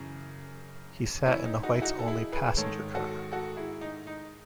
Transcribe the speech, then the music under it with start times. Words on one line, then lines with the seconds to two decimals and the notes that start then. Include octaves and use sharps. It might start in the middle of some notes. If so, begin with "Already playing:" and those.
He sat in the "whites-only" passenger car.
Already playing: F#2 C#3 E3
1.26 C#4 E4
1.44 D#4
1.63 D#4 F#4
1.75 E4
1.82 D#4 F#4
1.99 A4
2.07 E4 G#4
2.32 G#4 B4
2.57 G#2 D#3 A4 C#5
2.95 F#4 A4
3.32 F#4 A4
3.57 E4 G#4
3.81 D#4
4.07 D#4